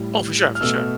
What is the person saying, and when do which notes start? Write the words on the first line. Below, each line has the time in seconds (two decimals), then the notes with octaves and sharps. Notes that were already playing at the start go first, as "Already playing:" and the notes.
Oh, for sure, for sure.
Already playing: A2 G3
0.55 F6
0.61 B2 A3 E6